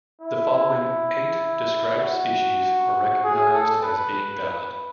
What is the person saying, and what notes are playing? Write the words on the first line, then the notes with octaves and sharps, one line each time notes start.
The following eight described species are recognized as being valid.
E4
F#4
G#4
A4
B4